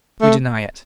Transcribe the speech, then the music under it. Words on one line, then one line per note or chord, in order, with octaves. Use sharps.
We deny it.
A3